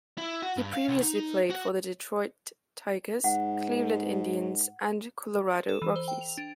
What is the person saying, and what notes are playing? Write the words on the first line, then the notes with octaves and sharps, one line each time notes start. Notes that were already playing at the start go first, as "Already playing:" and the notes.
He previously played for the Detroit Tigers, Cleveland Indians, and Colorado Rockies.
E4
F#4
G2
F5
C2
D#4
F#4
G#2 F#5
A4
E3
C5
G5
F7
D4